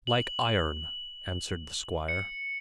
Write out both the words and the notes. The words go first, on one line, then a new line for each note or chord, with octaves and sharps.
"Like iron," answered the squire.
F#7
C#7